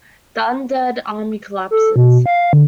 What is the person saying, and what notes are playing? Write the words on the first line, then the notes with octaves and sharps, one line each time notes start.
The undead army collapses.
A4
B2
F5
D3